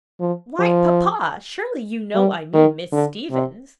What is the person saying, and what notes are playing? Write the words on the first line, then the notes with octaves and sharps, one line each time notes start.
"Why, papa, surely you know I mean Miss Stevens!"
F3
F3
G3
D#3
D3
C3